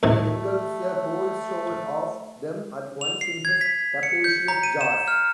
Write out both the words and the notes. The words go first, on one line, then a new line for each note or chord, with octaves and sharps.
He engulfs a whole shoal of them at once in his capacious jaws.
D#2 A2 C3 A3
F7
C7
G#6
B6
C#7
G6
A#5
D#7
E7
F6